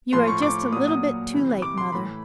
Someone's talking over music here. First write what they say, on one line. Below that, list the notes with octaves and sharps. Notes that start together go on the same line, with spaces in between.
You are just a little bit too late, mother.
A2 F3 C6
C#6
D6
A#2 F#3 D#6
D#6
C3 E3
D6
C6
A2 E3 B5